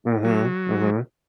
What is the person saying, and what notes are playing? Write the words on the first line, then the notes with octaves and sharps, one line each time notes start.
Mhm, mhm.
F#3